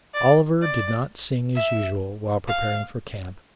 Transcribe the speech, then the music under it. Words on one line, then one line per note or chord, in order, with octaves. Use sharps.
Oliver did not sing as usual while preparing for camp.
D5
D5
E5
F5